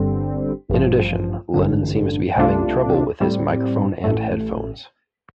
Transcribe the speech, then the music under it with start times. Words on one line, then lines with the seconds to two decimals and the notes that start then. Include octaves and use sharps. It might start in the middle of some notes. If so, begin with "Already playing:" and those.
In addition, Lennon seems to be having trouble with his microphone and headphones.
Already playing: G1 G2 D3 G3 C4
0.70 A1 G2 F3
1.54 A1 G2 D3
2.37 C2 C3 A3 D4 F4
3.20 A2 G3 C4
4.04 A1 A2 A3